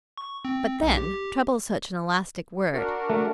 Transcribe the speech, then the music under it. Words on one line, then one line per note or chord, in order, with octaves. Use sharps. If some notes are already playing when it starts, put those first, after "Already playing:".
But, then, trouble is such an elastic word.
C#6
C4
B1
G4
D4 F#4 A#4
A3